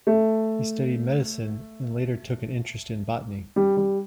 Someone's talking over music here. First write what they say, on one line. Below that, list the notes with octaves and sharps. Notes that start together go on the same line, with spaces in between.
He studied medicine and later took an interest in botany.
A3
G3
G3